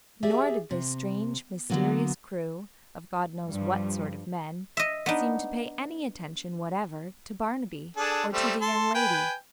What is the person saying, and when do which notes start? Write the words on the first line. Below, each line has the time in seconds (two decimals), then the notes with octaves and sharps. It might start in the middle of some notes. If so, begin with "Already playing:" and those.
Nor did this strange, mysterious crew, of God knows what sort of men, seem to pay any attention whatever to Barnaby or to the young lady.
0.23 G4 G#4 D5 E5
0.71 C3
1.70 D3 F#3 A#3 B3
3.48 G2 F3 G3
4.77 D#5 E5
5.06 B3 D4 D#4
7.97 D4 G#4 A4
8.33 G3 A3 C4
8.61 A4 C6
8.95 B4 G5 G#5